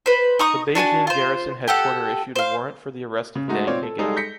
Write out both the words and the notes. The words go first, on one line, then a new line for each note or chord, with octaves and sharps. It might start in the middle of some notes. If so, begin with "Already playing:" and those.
The Beijing Garrison headquarter issued a warrant for the arrest of Deng Hegao.
B4 C5
D#4 A#5 C#6 D#6
D4 F#4 G#5 A5
F4 C5
G4 A4 F#5
C5 F5
C#3
G#3 A3 D#4 F#4
C4 F4 C#5 D5
A4
G3 G#3 D#4 G#4 A4
G6 A#6 B6 C#7